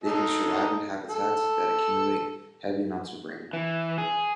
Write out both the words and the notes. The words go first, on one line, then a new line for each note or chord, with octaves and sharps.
They can survive in habitats that accumulate heavy amounts of rain.
D#4 A4
A4
E3
G#4